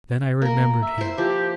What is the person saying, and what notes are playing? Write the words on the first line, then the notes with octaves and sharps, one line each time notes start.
Then I remembered him.
A#3 A#4
E5
E4 C5
F3 G4